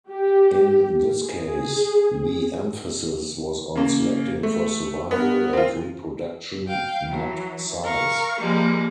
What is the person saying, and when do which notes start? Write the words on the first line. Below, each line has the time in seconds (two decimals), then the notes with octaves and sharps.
In this case, the emphasis was on selecting for survival and reproduction, not size.
0.10 G4
1.25 G#4
3.75 C#3 A#3
4.43 A3
5.11 B3 A#4
5.53 C4 F4
6.67 F5 G5
7.08 E3 F#3
7.84 A#4 F5 C#6
8.38 F3 G3 G#3 A#3